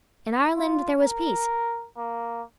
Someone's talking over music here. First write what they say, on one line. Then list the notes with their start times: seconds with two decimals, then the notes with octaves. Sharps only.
In Ireland there was peace.
0.56 F4
1.02 A#4
1.98 A#3